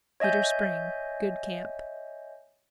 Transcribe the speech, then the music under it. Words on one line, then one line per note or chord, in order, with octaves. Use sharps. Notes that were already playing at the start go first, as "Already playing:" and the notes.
Cedar Spring.--Good camp.
C#5 D#5 E5 G#5 G6